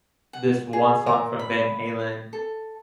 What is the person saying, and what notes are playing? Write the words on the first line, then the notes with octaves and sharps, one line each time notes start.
this one song from Van Halen,
F#5
G#4
A#4
B5
A4